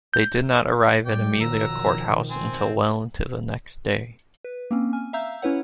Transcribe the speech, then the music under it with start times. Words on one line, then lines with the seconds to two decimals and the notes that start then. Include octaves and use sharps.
They did not arrive at Amelia Court House until well into the next day.
0.14 G6
1.06 A2 G3 D5 G5
1.41 B1 D#3 F3 F#3 A#5 E6
2.30 C4 C5 G#5
4.44 B4
4.71 A#3 C4 C#4
4.93 G#5 F6
5.13 E5 F5 A#5 E6 G6
5.42 C#4 E4 B4 C#5 F#5